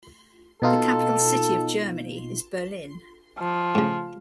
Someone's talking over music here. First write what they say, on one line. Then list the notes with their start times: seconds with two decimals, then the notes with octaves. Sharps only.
The capital city of Germany is Berlin.
0.62 B2 D#4 F4 A4
3.38 F3
3.75 A2 C#3